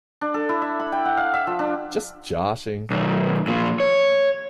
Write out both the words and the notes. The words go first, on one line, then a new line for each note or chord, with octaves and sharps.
Just joshing!
D4
A4
E4
E5
B5
G5
F#5
F5
E5
F3
D4
B1 D#3
A#2 F3
C#5